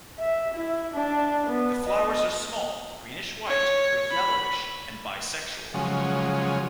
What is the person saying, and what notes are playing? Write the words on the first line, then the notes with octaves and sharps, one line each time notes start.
The flowers are small, greenish-white or yellowish, and bisexual.
E5
E4
D4
B3
D#5
C#5
B5
C#3 F3 F#3 G#3